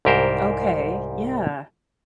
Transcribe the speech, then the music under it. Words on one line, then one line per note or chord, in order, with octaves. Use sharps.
Okay, yeah.
C2 G#2 G4 A#4 C5